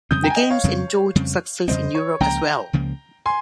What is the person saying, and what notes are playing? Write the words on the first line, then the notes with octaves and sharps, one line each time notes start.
The games enjoyed success in Europe as well.
F2 C#3 G3 C4 D#6 G6
G5 A#5
G#5
D#5 G5
C#5 F5
F2 C#3 G3 C4
F2 C#3 G3 C4
F2 C#3 G3 C4 C5 D#5
C#5
C#2 C#3 F3 A#3 G5 A#5
C#2 C#3 F3 A#3
G#5 C6